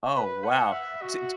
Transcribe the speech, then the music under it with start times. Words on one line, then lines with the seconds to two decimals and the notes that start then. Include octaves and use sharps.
Oh, wow, di di
0.16 B4
0.45 F#5
0.72 E5
1.02 F#4